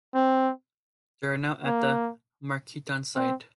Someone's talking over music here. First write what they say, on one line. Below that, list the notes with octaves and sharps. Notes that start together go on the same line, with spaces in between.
They are now at the Markeaton site.
C4
A#3
C4